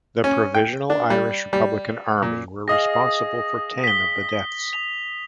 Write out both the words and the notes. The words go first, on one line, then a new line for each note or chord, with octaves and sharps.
The Provisional Irish Republican Army were responsible for ten of the deaths.
C#4
G5
D4
G3
G3
A#2
G#4 D#5 F5 D#6 A#6
B6 G7
F7